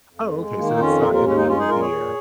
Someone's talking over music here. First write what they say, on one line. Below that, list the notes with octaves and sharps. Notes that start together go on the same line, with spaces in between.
Oh, okay, so it's not in the middle of the year.
F2
G#3
D#3 A#3
D#4
F2 C#4 F4
D#2 F4 A#4
F4 A#4
G#3 C#4
A#3 D#4
G#3 C#4 F4
D#4 G#4
A#2 F4 A#4
G#4 C#5
A#2